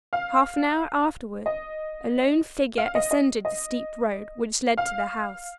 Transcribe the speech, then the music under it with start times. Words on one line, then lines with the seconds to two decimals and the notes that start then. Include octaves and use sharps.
Half an hour afterward, a lone figure ascended the steep road which led to the house.
0.13 F5
1.46 D#5
2.78 F5
2.95 D#5
3.11 D#5
3.45 D#5
4.77 F5